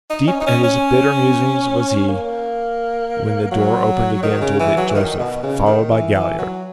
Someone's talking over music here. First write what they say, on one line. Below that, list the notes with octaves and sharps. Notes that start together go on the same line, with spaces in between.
Deep at his bitter musings was he when the door opened again to admit Joseph, followed by Galliard.
D#4
C#4
D#4
C#4
C#4
A#3
F#3
D#3
C#3
E3
F#3
E3
D#3
B2
C#3
D#3
E3
E3
F#3